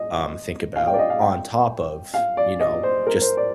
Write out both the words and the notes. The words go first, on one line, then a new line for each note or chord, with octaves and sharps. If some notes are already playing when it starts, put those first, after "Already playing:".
um, think about on top of, you know, just
Already playing: D#5
F5
G5
D5
D#5
F5
G5
F5
D5
D#5
C5
A#4
C5
D5